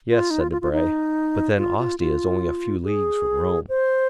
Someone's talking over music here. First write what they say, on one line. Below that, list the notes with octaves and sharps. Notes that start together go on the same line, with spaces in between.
"Yes," said Debray, "but then Ostia is only a few leagues from Rome."
F4
D#4
F4
F4
F4
D#4
F4
F4
F4
G#4
C5